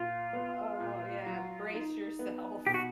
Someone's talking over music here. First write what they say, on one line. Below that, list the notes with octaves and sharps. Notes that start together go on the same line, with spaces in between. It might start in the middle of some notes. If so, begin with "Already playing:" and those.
Oh, yeah. Brace yourself.
Already playing: A#2 F4
B3
A#2
F#3
D#4
B3
B2 G4
F#4